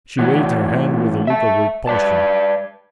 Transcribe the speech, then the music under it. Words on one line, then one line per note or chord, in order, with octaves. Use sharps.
She waved her hand with a look of repulsion.
A2 E3 F#4
E5 A5
B4 D5 A5